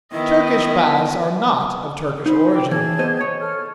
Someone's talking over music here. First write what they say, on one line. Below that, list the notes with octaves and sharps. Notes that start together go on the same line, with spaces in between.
Turkish baths are not of Turkish origin.
D#3 B3 E4 B4 D#5
D#4 C5 B5
G5 D6
E3 G#4 A5 G#6
B3 C5 D#5
C#5
A4 F6